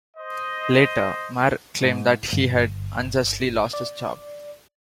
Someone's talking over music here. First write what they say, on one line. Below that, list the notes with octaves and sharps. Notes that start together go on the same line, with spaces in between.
Later, Marr claimed that he had unjustly lost his job.
C5 D#5
G#2
G1
D5